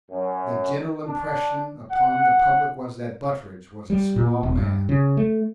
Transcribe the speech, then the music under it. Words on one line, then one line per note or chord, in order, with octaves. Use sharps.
The general impression upon the public was that Butteridge, was a small man.
F#2
D4
F#5
G3
A#2
D#1
G2
C#3
A3